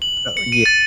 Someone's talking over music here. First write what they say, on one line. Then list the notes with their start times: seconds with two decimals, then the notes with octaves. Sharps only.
Oh, yeah.
0.02 F#7
0.37 C#7
0.52 D#7
0.66 A6